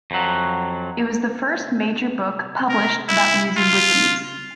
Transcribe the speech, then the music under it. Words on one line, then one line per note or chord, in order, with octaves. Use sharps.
It was the first major book published about using wikis.
F2 F#3
A#4
E4
F4